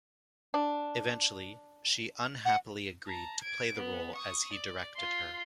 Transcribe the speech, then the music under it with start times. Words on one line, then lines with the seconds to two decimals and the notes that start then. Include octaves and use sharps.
Eventually, she unhappily agreed to play the role as he directed her.
0.54 D4
2.45 F#5
3.07 A5 A#5
3.42 G#6 D7
3.75 B3
4.15 C#6 D#6
4.53 D5
4.96 F4 C6